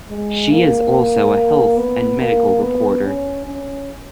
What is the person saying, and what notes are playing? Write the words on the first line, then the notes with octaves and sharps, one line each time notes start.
She is also a health and medical reporter.
G#3
A#3
B3
A#3
B3
C#4
C#4